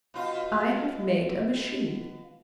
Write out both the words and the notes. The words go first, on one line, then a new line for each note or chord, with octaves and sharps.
"I have made a machine!"
B2 F4